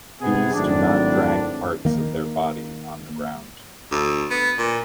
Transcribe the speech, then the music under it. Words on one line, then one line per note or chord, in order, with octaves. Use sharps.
These do not drag parts of their body on the ground.
C3 B3 G#4
G#1 A2 F#3 D4
D#3 A#3
D2
B3
A#2